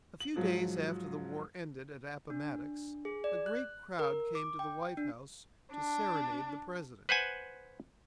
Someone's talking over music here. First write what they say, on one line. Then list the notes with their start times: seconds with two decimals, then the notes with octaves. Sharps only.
A few days after the war ended at Appomattox, a great crowd came to the White House to serenade the President.
0.20 F#7
0.36 G#2 F3 F#3
2.30 D4
3.05 G#4
3.24 D5
3.46 F#6
3.99 A#4
4.35 D6
4.59 G5
4.97 D4
5.73 D4
7.09 B4 C5 F#5 G#5